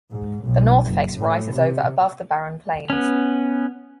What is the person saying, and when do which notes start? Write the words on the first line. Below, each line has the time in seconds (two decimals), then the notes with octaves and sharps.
The north face rises over above the barren plains.
0.11 G#2
0.47 B1
0.87 F#1
1.18 A2
1.54 C3
2.90 B3 C#4